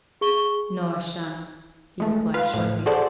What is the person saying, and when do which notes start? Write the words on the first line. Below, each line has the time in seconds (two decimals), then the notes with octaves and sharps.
'No, I shan't,' he replied, shortly.
0.21 G#4 C#6 G7
2.00 G#3 A3
2.34 F4 B4 F5
2.54 A2 F3
2.86 F#4 G#4 A4 C5 D5